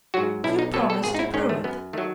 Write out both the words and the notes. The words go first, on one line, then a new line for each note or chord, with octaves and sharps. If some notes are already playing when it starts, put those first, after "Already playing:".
You promised to prove it.
G#2 F#3 F#4
B1 E4
D#4
B2 F#3 A4
A4
G#1 G#4
D#4
E4
G#2 D#3 C#4
A3
F#2 B3
D#3 F#3 A3